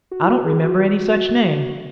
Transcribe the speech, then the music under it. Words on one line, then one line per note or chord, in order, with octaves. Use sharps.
'I don't remember any such name!'
F#4
E4
F#4
G#4
F#4